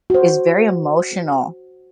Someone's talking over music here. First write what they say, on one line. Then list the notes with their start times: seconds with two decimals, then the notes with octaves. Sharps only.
is very emotional
0.10 F#4 C5